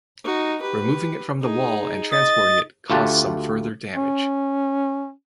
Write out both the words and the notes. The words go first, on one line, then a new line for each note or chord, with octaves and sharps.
Removing it from the wall and transporting it caused some further damage.
D#4 F#4
G4 B4
D#4 G#4
D#5 A6
D2 A3 F4 G4 F#5 A5
C#4